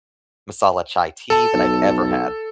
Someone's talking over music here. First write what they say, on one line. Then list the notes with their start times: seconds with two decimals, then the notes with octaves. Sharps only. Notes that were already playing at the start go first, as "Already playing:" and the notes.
masala chai tea that I've ever had.
1.30 A4 A5
1.54 B1